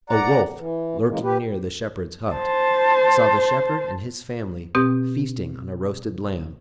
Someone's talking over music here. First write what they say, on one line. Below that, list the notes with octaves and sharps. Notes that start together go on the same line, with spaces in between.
A Wolf, lurking near the Shepherd's hut, saw the Shepherd and his family feasting on a roasted lamb.
D5 F#5 A#5
E3
G#2 C#3 E3 G#3 A#3
G4 B4
C5 A5
B2 C4 G4